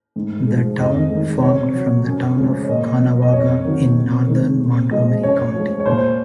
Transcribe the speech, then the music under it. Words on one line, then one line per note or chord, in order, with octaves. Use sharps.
The town formed from the town of Caughnawaga in northern Montgomery County.
G#2
F3 G#3
F2 D#5
D#3 G#3
C3 C#5
F#3
F#2
C#3 F3 G#3
C#5
A#2 D#5
F#3
D#5
F2 C#5
C3 D#3 F#3
C3
D#3 G#3
C3
F3 G#3 D#5
F#2 C#5
F3 G#3
C#5
A#2 C5